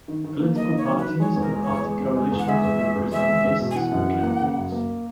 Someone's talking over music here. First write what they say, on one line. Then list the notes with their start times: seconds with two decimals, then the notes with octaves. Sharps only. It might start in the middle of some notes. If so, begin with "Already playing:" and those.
Political parties and party coalitions may present lists of candidates.
0.08 D#3
0.24 D#3
0.40 A#3
0.56 A#3 D#5
0.73 D#3 C#5
0.88 F#3
0.99 B4
1.04 D#3
1.20 G#3 C#5
1.36 E2
1.41 A#4
1.52 G#3
1.63 C#5
1.69 E2
1.84 G#3
2.00 E2
2.16 G#3
2.31 E2
2.39 F#5
2.47 G#3 E5
2.63 E2
2.80 G#3
2.95 E2
3.12 G#3 E5
3.28 G#3
3.45 E2
3.61 B2
3.71 G#5
3.75 E3 F#5
3.91 F#2
4.09 E3
4.23 A#3
4.41 C#3
4.56 F#2
4.72 A#3